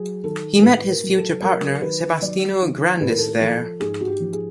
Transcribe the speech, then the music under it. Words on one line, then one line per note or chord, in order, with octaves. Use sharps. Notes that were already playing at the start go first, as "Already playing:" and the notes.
He met his future partner Sebastiano Grandis there.
Already playing: F#3 G#4
D#3 A4
A2 B4
A#4
F#3
A4
F#3 A#4
D#3 B4
F#3 D5
D#3
A2 B4
A#4
A4
A#4
F3 A4
G#2 G#4
F#4
G4
F3
G#4